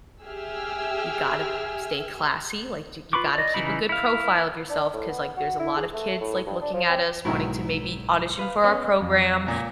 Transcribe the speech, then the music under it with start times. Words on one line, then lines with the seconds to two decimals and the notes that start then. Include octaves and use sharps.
you gotta stay classy," like, "you you gotta keep a good profile of yourself 'cause," like, "there's a lot of kids," like, "looking at us wanting to maybe audition for our program,
0.25 G4 G#4 E5 G#5 E6 F6
3.13 F4 B4 B5 C#6 D6
3.35 D5 D#5
3.54 C#3 E3 D#4 E4 B5
3.89 E4 F5
4.69 D4
4.93 A2
5.09 B3
5.37 F#4
5.59 E4
5.76 G#4
5.93 A3
6.20 A2
6.46 G2
6.61 D4
6.73 F3
6.89 C4
7.25 B1 G#2 D#3 F#3 E4
8.39 B4 F5
8.64 B3 C#4
9.01 F2
9.46 C#2 A#2